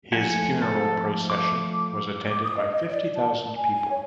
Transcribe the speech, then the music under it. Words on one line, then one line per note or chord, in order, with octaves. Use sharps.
His funeral procession was attended by fifty thousand people.
F3 A3 F#5 G#5
A4
D6
D6
D#6
D#5
D#5
D5
A5
G#5
G#5
C#5